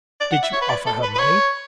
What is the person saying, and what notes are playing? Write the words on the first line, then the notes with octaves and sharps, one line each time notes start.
"Did you offer her money?"
D5
F#5
E5
C#5
B4
D5
A4
B4
B4
C#5